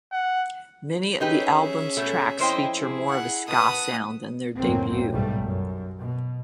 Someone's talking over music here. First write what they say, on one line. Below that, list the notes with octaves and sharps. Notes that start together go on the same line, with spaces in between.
Many of the album's tracks feature more of a ska sound than their debut.
F#5
C#4 D#4 G4 G#4 B4 E5
B2 A3
F2 E4 C5 D#5 G5
E4 G#4
F#5
B2 B4 F#5 A5 D#6
C#2 F#2 A2 F#3 A#3 C4
B1 G#2 G3 A3
F#2
B2